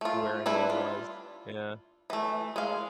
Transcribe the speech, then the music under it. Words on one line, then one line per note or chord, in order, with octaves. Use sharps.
where anyone was. Yeah.
A3 F4
G3 D4 E4 B4
F4
E3 A3
G#3 F5